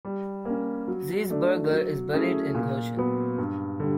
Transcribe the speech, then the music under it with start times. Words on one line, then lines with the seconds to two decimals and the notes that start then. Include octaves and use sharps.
Zeisberger is buried in Goshen.
0.05 G3
0.45 A#3 C#4
0.88 F#3
1.30 A3 D4
1.72 F#3
2.13 A3 C#4 E4 G#4
2.54 A#2
2.97 F#3 B3
3.38 G2
3.80 D3 G3